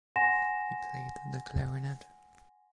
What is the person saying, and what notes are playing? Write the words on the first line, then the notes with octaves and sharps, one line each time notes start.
He played the clarinet.
F#5 G#5 C6 A#6 E7